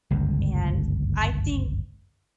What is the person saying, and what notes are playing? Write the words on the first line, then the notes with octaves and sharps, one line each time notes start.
and I think
G1 C#2 F#2